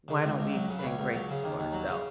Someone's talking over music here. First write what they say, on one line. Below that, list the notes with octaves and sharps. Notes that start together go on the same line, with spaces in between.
Why don't we extend grace to ourself?"
C#3
C#2
C#2
F#3
C#3
B4
C#2 C#5
C#2
F#3
C#3
D#2
D#2
F#3
C#3